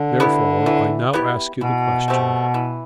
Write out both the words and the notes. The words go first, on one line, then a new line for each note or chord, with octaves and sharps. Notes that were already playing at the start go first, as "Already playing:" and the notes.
Therefore I now ask you the question.
Already playing: D3
B3 E4 G4
E3
B3 E4 G4
B2 E3
A3 C4 G4
E3